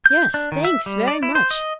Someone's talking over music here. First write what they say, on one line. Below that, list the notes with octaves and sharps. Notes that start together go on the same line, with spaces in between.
'Yes, thanks, very much.
G6
D4
D#3
E5
G3
D5
E4
C5
D#5